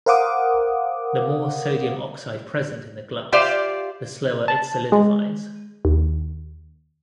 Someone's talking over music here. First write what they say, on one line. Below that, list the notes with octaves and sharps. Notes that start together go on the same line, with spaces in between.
The more sodium oxide present in the glass, the slower it solidifies.
A#4 C5 F5 F#5 D6 D#6
F4 G4 C5 D5 E5 F5
A5
G#3
D#2